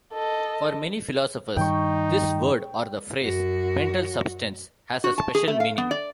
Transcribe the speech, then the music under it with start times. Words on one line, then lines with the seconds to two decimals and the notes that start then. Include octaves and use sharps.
For many philosophers, this word or the phrase "mental substance" has a special meaning.
0.14 A4 D#5
1.57 G2 D#3 G3 D#4 G5 C#6
3.22 F#2 F#4
5.04 F#4
5.18 A5
5.35 G#4
5.48 A3
5.60 F5
5.78 B3
5.91 D5